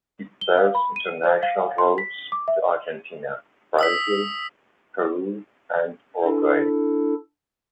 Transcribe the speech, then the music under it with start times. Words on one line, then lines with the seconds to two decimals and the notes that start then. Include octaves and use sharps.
It serves international routes to Argentina, Brazil, Peru and Uruguay.
0.41 G7
0.58 F5
0.75 B5
0.96 D#7
1.24 C5
1.43 F5
1.78 C6
1.98 B6
2.32 D6
2.48 E5
3.79 D#6 E6 B6
6.24 D4 E4 A4